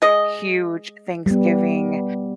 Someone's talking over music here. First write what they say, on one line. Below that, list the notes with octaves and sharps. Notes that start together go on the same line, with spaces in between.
huge Thanksgiving,
G#3 G#4 D#5
G3 B3